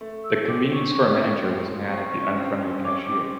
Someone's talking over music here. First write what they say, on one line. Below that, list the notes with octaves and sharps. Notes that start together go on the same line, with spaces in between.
The convenience store manager was mad at the unfriendly cashier.
A3
E6
C4 D6
C#4 C#6
C#4
C4
C4 C#6
C#4
C4
C#4
C#4 D6
C4